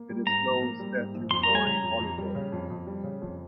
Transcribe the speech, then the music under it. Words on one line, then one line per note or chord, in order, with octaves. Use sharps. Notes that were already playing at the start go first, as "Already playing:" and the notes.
It is closed statutory holidays.
Already playing: A#3
G3
G#2 A#5
A#1
A#3
G3
G#2
A#1
F2 C6
A#5
G3
G#5
C#3 A#5
F2
F2
G3
C#3
F2
F2
G3
C#3
F2